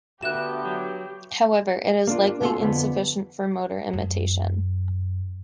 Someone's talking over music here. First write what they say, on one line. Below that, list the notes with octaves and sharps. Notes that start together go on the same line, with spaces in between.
However, it is likely insufficient for motor imitation.
D3 A3 B3 F#4 G4 E5 F#6 E7
F#3
A#3 D4 F4
B2 G#3 F4 A4 C6
F2 D3 B3
F#2